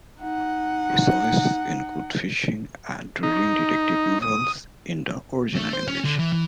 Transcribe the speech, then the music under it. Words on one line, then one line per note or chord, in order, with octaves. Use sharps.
His hobbies include fishing, and reading detective novels in the original English.
D#4 F#5
D#4
D#6
A3
C5
C#4
D3
E3
E3